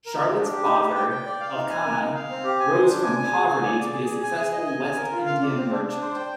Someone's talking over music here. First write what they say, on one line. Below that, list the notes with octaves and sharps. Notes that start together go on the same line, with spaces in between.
Charlotte's father, Elkanah, rose from poverty to be a successful West Indian merchant.
A#4
D#4
D4
G4
D#4
G4
G5
G5
D5
F5
D#4
G#5
A#4
D#4
F5
C4
G4
G#5
C5
D4
G#5
G#5
G#4
G#5
D5
D5
G#4
G#4
G#5
G#4
D#5
G#5
G#5
A#4
F4
F5
D5
C4
D4
D4
C5
G5